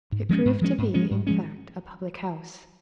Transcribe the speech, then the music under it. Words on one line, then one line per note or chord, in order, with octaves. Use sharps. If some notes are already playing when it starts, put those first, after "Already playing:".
It proved to be, in fact, a public house.
G#2
F3 G#3 C#4
G#2
F3 G#3 C#4
G#2
F3 G#3 C#4
G#2
F3 G#3 C#4